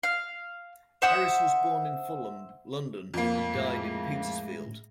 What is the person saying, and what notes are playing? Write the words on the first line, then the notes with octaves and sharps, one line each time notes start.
Harris was born in Fulham, London and died in Petersfield.
F5
C5 E5 F#5 D#6
F2 A#3
A2 G#3